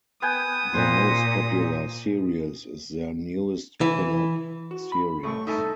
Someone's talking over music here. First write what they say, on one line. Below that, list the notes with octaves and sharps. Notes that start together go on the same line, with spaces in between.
Their most popular series is their newest Pinup Series.
B3 G5 G#5 D#6
A#2 C5
E3
F#4
B5
A1 A3 C#6
C2 D#4 A4 E5 G#5